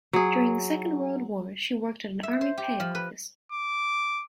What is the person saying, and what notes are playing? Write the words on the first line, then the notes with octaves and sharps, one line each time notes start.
During the Second World War she worked at an Army Pay Office.
F#3 G#4
E5
C5
G4
F3
B4
D6